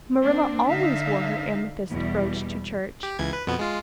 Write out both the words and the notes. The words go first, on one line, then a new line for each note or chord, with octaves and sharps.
Marilla always wore her amethyst brooch to church.
A#3 C4 D4
D3 D#4 E5 F5
E2 B2 G3
G4
C#2 E3 G#6
B4
F2 B2 B3
G#3 F4